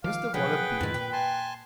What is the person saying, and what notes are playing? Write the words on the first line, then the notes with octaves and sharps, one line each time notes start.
Mr Waller beamed.
D#3 F3 F5 D6
B2 F3 F#3 G#4 B4 F#5 G5
F2 G#2 D#3 F3 E4
A#2 G5
G#5 A5 C6